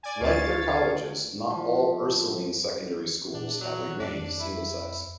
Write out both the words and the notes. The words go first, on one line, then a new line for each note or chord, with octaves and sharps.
Like their colleges, not all Ursuline secondary schools have remained single-sex.
D5 G#5
D2 C#5 F5 A6
F3
A#2 D4
F#3
F2 D4
E4